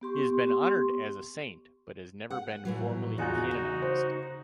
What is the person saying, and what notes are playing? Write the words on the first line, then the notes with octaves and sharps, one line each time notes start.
He has been honored as a saint but has never been formally canonized.
B3 G4 C6 C#6
F#5
A2 E3 F#3
E2 D#4 F4 F#4 G#5 F#6
C#3
C5